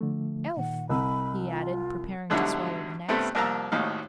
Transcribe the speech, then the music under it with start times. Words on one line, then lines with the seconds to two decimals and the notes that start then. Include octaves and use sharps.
"Health!" he added, preparing to swallow the next.
0.01 D3 F3 A3
0.57 A#2 D#3 F#5
0.89 C2 D#5 B5 E6
1.50 F4
2.30 G#2 B2 D3 F#3 G3 E4
3.08 G2 C3 G3 A3 B3 C4
3.35 C2 F2 A#3 A5 A#5 E6
3.72 G#1 D#2 A2 D#4 F5